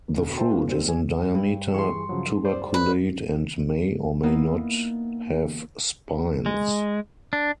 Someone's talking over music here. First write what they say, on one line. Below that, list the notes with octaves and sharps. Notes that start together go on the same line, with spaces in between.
The fruit is in diameter, tuberculate, and may or may not have spines.
D2 B2
F4 C5 E5 G5 A5 C6
G3 F4 F#4 A4 B4
D#1 A#2 C4 C5
G#5
G2
E3 G#4 C6 C#6
C#3 F3 F#3
C5 D5
B4
A#3 B3 D#4 E4
G#3
D4